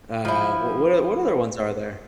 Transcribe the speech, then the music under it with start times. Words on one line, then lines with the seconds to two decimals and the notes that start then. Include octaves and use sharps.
uh, w what o what other ones are there?
0.25 F3 E4